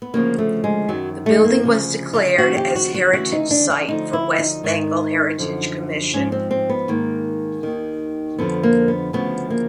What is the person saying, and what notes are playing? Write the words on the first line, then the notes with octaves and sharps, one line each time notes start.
The building was declared as heritage site by West Bengal Heritage Commission.
B3
D2 C#3 F3 A#3
A3
G#3
F#2 D#3 F#3
A3
A#3
D2 C#3 F3
F4
D#2 C#3 F3 F#4
G4
F#4
F#4
D2 C#3 E3 F#4
D#4
D4
D4
D2 D3 F3 D#4
E4
D#4
G#2 D#3
F#2 D3 F3
G#2 F3 C#4
C4
C4
B3
G#2 D#3 A#3
D#2 D#3
F2 D3 F3 B3
A#3
B3
D2 C#3 F3 B3
A#3